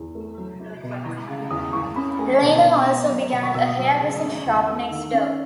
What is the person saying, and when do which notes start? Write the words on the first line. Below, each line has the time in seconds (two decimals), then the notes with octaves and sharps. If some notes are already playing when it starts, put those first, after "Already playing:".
Lena also began a hairdressing shop next door.
Already playing: E2
0.15 A3
0.38 F#3
0.60 E4
0.83 B2
1.06 E3
1.28 C#3
1.51 E2 D#6
1.73 E2 C#6
1.96 C#4 B5
2.18 A3 G#5
2.42 B2 A5
2.64 B2
2.87 B3
3.09 F#3
3.32 B2
3.43 C#6
3.55 B2 E6
3.66 D#6
3.78 F#3
4.00 C#3
4.23 C#4
4.45 E2
4.67 A3 E6
4.91 D#3
5.13 C#4